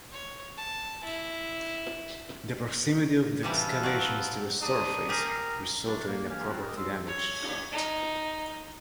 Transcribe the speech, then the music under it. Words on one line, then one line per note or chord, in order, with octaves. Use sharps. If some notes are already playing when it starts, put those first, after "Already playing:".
The proximity of the excavations to the surface resulted in the property damage.
C#5
A5
E4
C3 E3 G3 A4 B4 F5
F#3 C4 D5
D4 D#4 D#6
G4 G#4 A#4
C#2 C3 F#3 D4
A#3
C#2 E3 A#3 G4 G#5 F6
C4 F4 F#4
G4 A#4 D#5
C#3 D#4 C6 E6
C#5
D#4